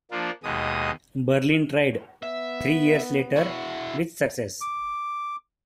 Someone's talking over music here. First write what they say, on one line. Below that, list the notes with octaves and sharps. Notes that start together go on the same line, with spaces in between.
Berlin tried, three years later, with success.
F3 A#3 D4 F4
D#2 B2 G#3 D#6
B3 E5
E4 F#4
D6